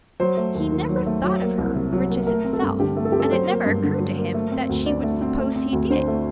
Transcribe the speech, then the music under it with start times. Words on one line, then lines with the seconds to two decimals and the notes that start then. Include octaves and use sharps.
He never thought of her riches himself, and it never occurred to him that she would suppose he did.
0.20 F#3 C5
0.37 A3
0.55 D#2
0.72 D#3
0.89 F#3
1.06 A3
1.24 F#3
1.41 A#3
1.58 C2
1.75 C3
1.93 F#3
2.10 A#3
2.27 A3 A#4
2.45 C4
2.53 A4
2.62 G2
2.79 D3 G4
2.97 A3
3.05 A4
3.12 C4 G4
3.20 A4
3.31 F#3 C5
3.48 A#3
3.66 G2
3.83 D3
4.00 F#3
4.18 A#3
4.34 A3
4.52 C4
4.69 D2
4.86 D3 D5
5.03 A3
5.22 C4
5.39 A3
5.56 C4
5.73 D2
5.90 D3 C5
6.08 A3